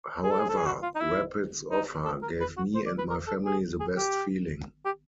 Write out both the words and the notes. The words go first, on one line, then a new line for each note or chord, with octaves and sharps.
However, Rapid's offer gave me and my family the best feeling.
G#4
A4
G#4
A4
G#4
F#4
F4
D#4
E4
D#4
A4
A#4
B4
F#4
C5
D5
B4
A#4
A4
G#4
G#4
G4
G4